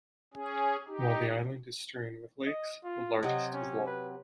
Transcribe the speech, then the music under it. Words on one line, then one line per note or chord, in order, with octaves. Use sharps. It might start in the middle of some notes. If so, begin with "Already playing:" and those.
While the island is strewn with lakes, the largest is long.
C#4 G#4
D#4 G4
D#5
F4
C3 F#3 D#5
C#4
B4